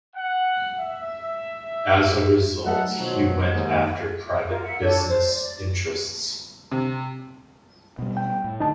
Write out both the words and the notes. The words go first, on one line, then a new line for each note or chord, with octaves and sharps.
As a result, he went after private business interests.
F#5
E5
F#3 A3 D#4 A4 E5 F#5
B2 D#3 F3 F#3
D#2 G#2
F4 A#4
E5 F#5
D4 A4 C#5 D5
C5
D5
D5
C3
B2 G3
G5
A2
D3 F3 D#4 A5